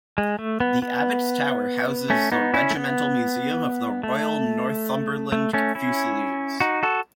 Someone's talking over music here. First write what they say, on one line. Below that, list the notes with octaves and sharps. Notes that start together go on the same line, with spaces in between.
The Abbot's Tower houses the Regimental Museum of the Royal Northumberland Fusiliers.
G#3
A3
B3
B3
A3 C#4
B3 D#4
C#4 E4
A3
B3
A3
A3
A3 C#4
C#4 E4
D#4 F#4
F#4 A4